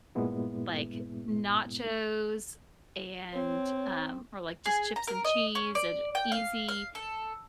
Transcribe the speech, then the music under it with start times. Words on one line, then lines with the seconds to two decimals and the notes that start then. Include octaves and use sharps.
like, nachos and, um or, like, just chips and cheese and easy,
0.15 G2 A#2 G#3 B3 E4
3.33 C4 C#5
4.66 G#4
4.96 A#5
5.07 A#4
5.25 D#5
5.55 C#4
5.75 D5
6.15 G5
6.32 F5
6.69 F5
6.95 A4